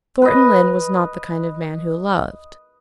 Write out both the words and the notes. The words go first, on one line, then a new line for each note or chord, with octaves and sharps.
Thornton Lyne was not the kind of man who loved.
B4 D#5